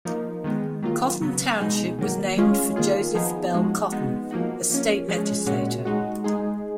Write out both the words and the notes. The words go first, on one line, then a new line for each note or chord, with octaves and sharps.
Cotton Township was named for Joseph Bell Cotton, a state legislator.
F3 A#3 D#4
D#3 G#3 B3
D#3 F#3 A#3 F4
C#3 F#3 B3
B2 G#3 D#4 G#4
D#3 F#3 A#3
G#3 C#4 F4 G#4
D#3 A#3 F4 G#4
F3 B3 D#4 G#4
F3 G#3 D#4 F#4
G#3 B3 D#4 F#4
F3 A#3 D#4 F#4
F3 A#3 C#4
F3 G#3 C#4 G#4
A#2 G#3 C#4 F#4
G#3 D#4 F#4
G#3 D#4 G#4